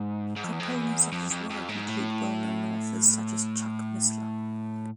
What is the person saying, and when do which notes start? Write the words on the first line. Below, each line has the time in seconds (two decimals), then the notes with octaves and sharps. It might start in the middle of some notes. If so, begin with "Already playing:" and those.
Proponents of his work include well-known authors such as Chuck Missler.
Already playing: G#2
0.37 G#2
0.44 F2
0.52 E2
0.60 F2
0.74 E2
1.12 F2
1.31 F2
1.50 F2
1.69 G#2
1.88 A2